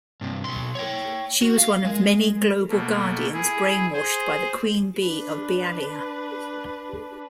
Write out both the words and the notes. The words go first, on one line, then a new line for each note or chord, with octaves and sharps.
She was one of many Global Guardians brainwashed by the Queen Bee of Bialya.
G2 C3
B1 C6
C#5 G5
F#4
F5
G#3
B2 A3 A#3
E4 G#4
G#4 C5
D4 B4